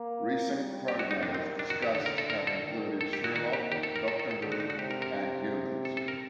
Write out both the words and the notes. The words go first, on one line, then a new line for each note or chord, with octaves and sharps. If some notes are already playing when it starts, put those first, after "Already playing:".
Recent programmes discussed have included "Sherlock", "Doctor Who" and "Humans".
Already playing: A#3
G3
G4
F#4
D#4
D#3 D4
C4
D4
F#4
G4
D3 A4
A#4
A4
A#4
A4
D#3
A4
G4
F#4
D#3 F#4
G4
D#3 G4
A4
A#4
A4
A4
A4
D3 G4
F#4
D#4
F#4
C3 G4
A#4
A#4
A4
A4
A#4